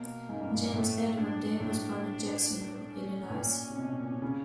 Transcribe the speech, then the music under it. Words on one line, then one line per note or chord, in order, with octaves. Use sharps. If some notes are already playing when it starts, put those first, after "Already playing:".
James Edward Day was born in Jacksonville, Illinois.
Already playing: B2 A#3
G#2
G2
G#2
A#2
A2 A3
D4
A2 D4
C#4
A2
A#2
C3
B2
B2
A#2
C3
C#3